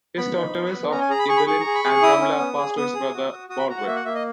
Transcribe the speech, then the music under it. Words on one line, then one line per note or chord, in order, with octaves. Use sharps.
His territories of Ibelin and Ramla passed to his brother Baldwin.
B3 B5
D#4
B3
B3
C#4 A#5
G#5
G#4 A#5
B5
G#4 C#6
B5
G#4 C#6
G#4 A#5
B5
G#4 C#6
E4 D#6
C#4
B3
G#4
B3 D#6
G#4
F#4
F#4
F#4 D#6
B5
F#4 A#5
F#5
A#3 E5
F#5
A#3 E5
D#5